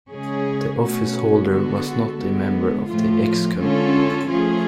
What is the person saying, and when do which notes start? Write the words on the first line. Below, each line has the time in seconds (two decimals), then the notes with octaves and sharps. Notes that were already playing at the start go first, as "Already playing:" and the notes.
The office holder was not a member of the ExCo.
0.11 C#3 G#3 C#4 G#4
0.81 B2 A3 C#4 F#4
1.50 D3 G#3 B3 F#4 A4
2.20 D3 G#3 B3
2.90 A2 F3 A3 F4
3.59 D3 G#3 C#4 F4 A4
4.29 F3 A3 C#4 F4 G#4